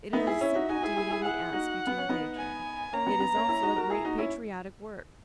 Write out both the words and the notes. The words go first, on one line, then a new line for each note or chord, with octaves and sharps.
It is a simple duty we ask you to engage in; it is, also, a great patriotic work.
B3 D#4 E5
E4 G#4
C#4 E4
D#4 F#4
D#4 F#4 G#5
E4 G#4
E4 G#4
E4 G#4
E4 G#4 F#5
D#4 F#4
B3
C#4
B3 D#4
G#5
A#3 C#4 A#5
B3
B3
A#3 C#4
C#4 E4
D#4 F#4
F#4 A#4
E4 G#4
D#4 F#4
C#4 E4